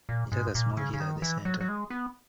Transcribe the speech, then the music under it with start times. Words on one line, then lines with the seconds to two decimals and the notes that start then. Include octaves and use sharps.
It has a small hill at the center.
0.09 A#2
0.32 G#2
0.55 A#2
0.77 C#3
0.94 C#3
1.00 D#3
1.22 E3
1.45 F#3
1.60 F#3
1.69 G#3
1.90 B3